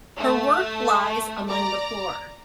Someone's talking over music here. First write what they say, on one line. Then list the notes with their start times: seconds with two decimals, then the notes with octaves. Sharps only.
Her work lies among the poor.
0.18 A3
1.48 D5 A#5